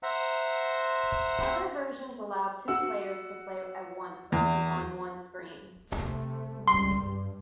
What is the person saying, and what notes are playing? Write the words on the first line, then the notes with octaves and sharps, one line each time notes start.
Other versions allow two players to play at once on one screen.
C5 E5 F#5 A#5
F#4 F#5 E6
E2
C3 A3
C#2 G3 C6
G2